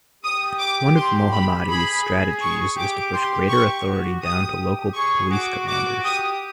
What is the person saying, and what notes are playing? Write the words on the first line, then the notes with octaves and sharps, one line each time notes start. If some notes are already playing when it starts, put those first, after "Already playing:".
One of Mohammadi's strategies is to push greater authority down to local police commanders.
G4 D#6
D6
C6
B5
G#4 B5
G#4
C#6
G4 D6
G4 C6
C#6
F#4
G4 D#6
G#4 C#6
F#4 D6
F#4 D6
G4 D#6